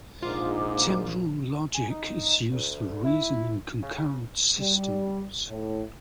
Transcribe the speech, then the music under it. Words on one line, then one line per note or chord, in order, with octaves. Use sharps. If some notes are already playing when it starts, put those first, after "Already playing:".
Temporal logic is used for reasoning in concurrent systems.
A#1 G#2 D#4 F4 D6
G#5
D#4
D2
E4
C#3
G3
A2